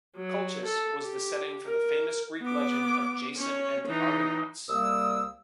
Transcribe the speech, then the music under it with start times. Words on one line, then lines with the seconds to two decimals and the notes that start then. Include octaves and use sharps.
Colchis was the setting for the famous Greek legend of Jason and the Argonauts.
0.16 F#3
0.66 A4
1.02 G4
1.67 A#4
2.42 B3 D6
3.36 C#4 C#5
3.88 E3 D#4
4.69 C2 G3 A#3 D#6 E6